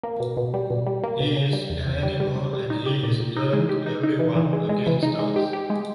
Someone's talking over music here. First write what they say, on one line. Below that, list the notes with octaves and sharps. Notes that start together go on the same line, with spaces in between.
He's an animal, and he's turned everyone against us.
A#3
B2
B2
G3
B2
G3
A#3
B2
C#3
G3
E2
E2
G3
G3
G3
G3
D#4
G4
A#2
A#2
D#4
G#3
G4
D#4
D#4
E3
E3
G#3
G#3
E3
D#4
G#3
G4
G4
G#3